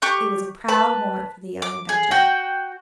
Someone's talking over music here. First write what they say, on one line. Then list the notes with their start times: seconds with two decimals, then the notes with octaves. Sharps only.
It was a proud moment for the young inventor.
0.02 G4 C#6 F#6
0.69 B4 A5 B5
1.62 D6
1.89 G#4
2.11 F#4 F#5 G5